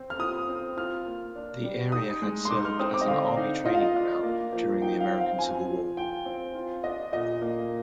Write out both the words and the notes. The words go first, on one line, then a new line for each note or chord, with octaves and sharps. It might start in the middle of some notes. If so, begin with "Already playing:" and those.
The area had served as an Army training ground during the American Civil War.
Already playing: C4
F6
F4 D#6
C4
F4 F6
A#3
D4
G3
D#4 D#6
G#3
C6
D#4 D6
F6
C4 D#6
D6
D#5
D3 F5
D#4
F4 D#5
F5
D#5
D4
A#3
F3
D#4 G5
F5
C4
F5
F2 G#5
F3
F4 G5
C4
F4
D4 D#5
A#2 D#5
A#3